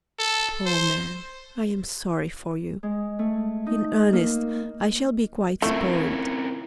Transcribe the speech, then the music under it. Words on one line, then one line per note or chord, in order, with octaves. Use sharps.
Poor man, I am sorry for you; in earnest, I shall be quite spoiled.
A4
C5
G#3
A3
D#4
A#3
A3 C4 C#4 E4 F4 A#4